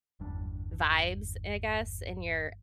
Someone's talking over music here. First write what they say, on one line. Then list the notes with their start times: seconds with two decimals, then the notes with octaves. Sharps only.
vibes, I guess, in your
0.20 G1 E2 G3 D4